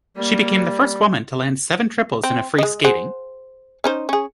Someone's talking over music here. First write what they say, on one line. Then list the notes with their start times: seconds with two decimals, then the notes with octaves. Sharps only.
She became the first woman to land seven triples in a free skating.
0.17 G3 A#3
2.24 C4
2.58 G#3 D#5
2.84 G#4 C5 F#5
3.84 C#4 D#4 C5
4.09 C#4 G#4